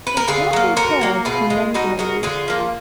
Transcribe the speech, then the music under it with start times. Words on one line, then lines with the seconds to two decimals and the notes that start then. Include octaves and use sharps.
He was not interred conventionally.
0.07 B4
0.17 A#4
0.27 D3 F4 G#4
0.53 F#3 A#3
0.76 D3 F#4 A#4
1.01 F#3 A#3
1.25 B2 F4 G#4
1.50 G#3
1.74 B2 D#4 F#4
1.99 G#3 F#4 A#4
2.23 D3 F4 G#4
2.48 F3 A#3